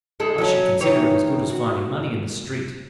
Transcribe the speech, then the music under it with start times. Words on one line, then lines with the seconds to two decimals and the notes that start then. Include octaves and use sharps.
'I should consider it as good as finding money in the street.'
0.20 D2 G#3 A4
0.38 F#3 C#4
0.81 D#3 E3 C#5
1.50 F#4